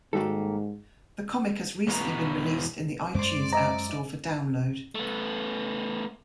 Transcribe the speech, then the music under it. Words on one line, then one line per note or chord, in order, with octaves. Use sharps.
The comic has recently been released in the iTunes App store for download.
G#2 D#3 G3 A#3 F#4 G4 A4
E2 B2 B3 F4 F#4 A#5
F#2 G#3 C#4 C5 D5 C6 D6
C5 D#5 E5 A#5
A3 B3